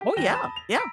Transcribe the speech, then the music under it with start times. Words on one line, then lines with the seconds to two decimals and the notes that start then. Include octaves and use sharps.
Oh, yeah, yeah.
0.01 G4
0.16 E2 G3 G5 A#6 G7
0.35 A5 B5 D#6 A6 E7
0.56 F7
0.76 A#5 B5 E6 B6 D7